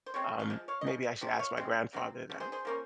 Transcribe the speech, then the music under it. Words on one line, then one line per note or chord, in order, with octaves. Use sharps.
Um, maybe I should ask my grandfather that.
C5
C#3 G#3 C4 C#5
F5
F3 G#3
C#5 F5
D#5
C#3 F3
C3 F3
C#5 F5
C#3 G#3 C4
C#3 F#3 C4
C#3 F3
G#4 C5
G#4 C5
F3 A#3 C#4